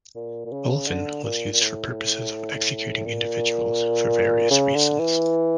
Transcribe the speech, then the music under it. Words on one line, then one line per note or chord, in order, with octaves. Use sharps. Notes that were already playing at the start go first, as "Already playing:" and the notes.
Ulven was used for purposes of executing individuals for various reasons.
A#2
A#2
C#3
D3
A#2
A#2
A2
A#2
C#3
D3
E3